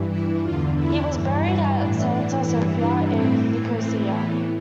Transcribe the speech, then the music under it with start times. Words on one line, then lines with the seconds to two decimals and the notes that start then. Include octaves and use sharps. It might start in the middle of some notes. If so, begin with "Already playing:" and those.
He was buried at Santa Sophia, in Nicosia.
Already playing: G2 E3
0.09 E4
0.42 E2 D3 F4
0.75 E4
1.09 G2 E3
1.42 E4
1.75 A2 E3 D4
2.08 D4
2.42 G2 E3 E4
2.75 D4
3.08 A2 E3 C4
3.75 A2 E3 C4
4.09 B3